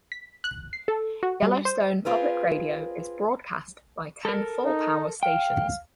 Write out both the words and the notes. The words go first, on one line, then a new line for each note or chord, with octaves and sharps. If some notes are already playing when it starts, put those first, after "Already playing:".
Yellowstone Public Radio is broadcast by ten full-power stations.
B6
F#6
C7
A4
F#4
G3
C5
C4 F4 G#4 B4
A4 A#4
D#4
F5 G5